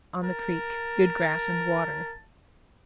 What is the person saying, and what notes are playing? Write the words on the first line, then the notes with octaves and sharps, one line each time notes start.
On the Creek.--Good grass and water.
A#4 A5